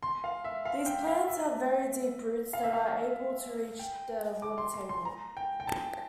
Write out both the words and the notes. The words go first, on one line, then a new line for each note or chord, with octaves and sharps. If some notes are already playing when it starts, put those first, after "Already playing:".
These plants have very deep roots that are able to reach the water table.
C6
F5
E5
F5
G5
F5
E5
F5
E5
F5
G5
D6
C6
C6
C6
A#5
G5
G5
A5